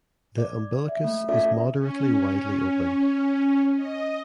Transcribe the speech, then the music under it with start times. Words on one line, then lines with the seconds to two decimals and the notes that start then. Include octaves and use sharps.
The umbilicus is moderately widely open.
0.38 D5
0.89 E5
1.04 A3
1.28 C#4 F4 A4 D5 E5
1.78 C#4
3.76 D#5